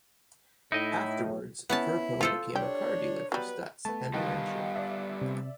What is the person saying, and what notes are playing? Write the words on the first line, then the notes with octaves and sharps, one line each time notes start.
Afterwards, Firpo became a car-dealer for Stutz and a rancher.
A2 D#4 E4 D#5
B3 C#4 E4 A5
F3 F4 A4 C5
D4 G4 C#5
F#3 G3 B3 B4
A3 B3 A5
D#3 G3 B3 F5
D5 E5
C3